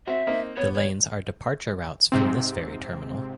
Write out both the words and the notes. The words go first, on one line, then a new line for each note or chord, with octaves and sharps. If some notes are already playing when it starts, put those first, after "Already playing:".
The lanes are departure routes from this ferry terminal.
C4 F#4 E5
A#3 C4 D#4
B3 C#5
C#5
G#2 C3 C4